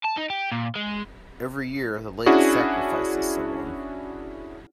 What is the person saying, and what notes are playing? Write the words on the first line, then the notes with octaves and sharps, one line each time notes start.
Every year the lake sacrifices someone.
A5
D#4
G4
A#2
G#3
C#4 D4 E4 F#4 G#4